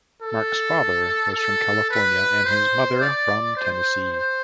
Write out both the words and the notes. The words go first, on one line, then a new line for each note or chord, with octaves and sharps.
Mark's father was from California and his mother from Tennessee.
A4
A4
B4
C5
D5
C5
C5